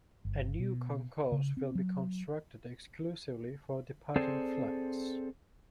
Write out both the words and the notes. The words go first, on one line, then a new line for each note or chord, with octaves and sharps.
A new concourse will be constructed exclusively for departing flights.
G1
B2
C#3
C4
F#3
C4 G#4 A4 C5 D5